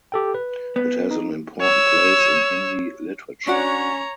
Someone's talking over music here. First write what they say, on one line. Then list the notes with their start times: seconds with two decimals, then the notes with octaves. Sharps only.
It has an important place in Hindi literature.
0.12 G4 A4 G5
0.34 B4
0.76 B3
1.11 D#4
1.61 C#5 E6
3.47 C#4 D4 F#4 C#5 F#5 A#5